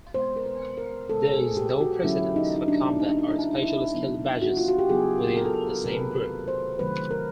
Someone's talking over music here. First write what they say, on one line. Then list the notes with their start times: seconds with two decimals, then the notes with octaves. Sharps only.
There is no precedence for combat or special skill badges within the same group.
0.14 B2 G#3 B3 C5
0.36 A#4
0.46 B4
0.77 A#4
1.09 B2 G#3 B3 A4
1.33 G#4
1.57 G4
1.81 F#4
2.04 D3 F#3 A#3 C#4 E4
2.36 D#4
2.56 D#4
2.68 D4
2.99 D3 F#3 A#3 C#4 D#4
3.09 D4
3.19 D#4
3.31 E4
3.53 D#4
3.63 E4
3.94 C#3 F#3 B3
4.42 F#4
4.57 F4
4.68 F#4
4.79 G4
4.89 C#3 F#3 B3 G#4
5.37 A#4
5.45 A4
5.53 A#4
5.84 C3 D#3 F#3 A3 A#4
5.92 B4
5.99 A#4
6.11 A#4
6.16 B4
6.48 C5
6.79 C3 D#3 F#3 A3 B4
7.11 A#4